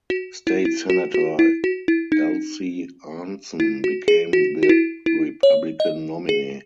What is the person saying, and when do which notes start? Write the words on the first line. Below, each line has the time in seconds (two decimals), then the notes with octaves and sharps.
State senator Elsie Arntzen became the Republican nominee.
0.10 F#4
0.47 E4
0.65 E4
0.90 F#4
1.14 F#4
1.39 E4
1.64 F#4
1.88 E4
2.12 D#4
3.60 E4
3.84 F#4
4.08 G#4
4.33 F#4
4.63 F#4
4.69 E4
5.06 E4
5.43 C#5
5.80 D#5
6.29 G#4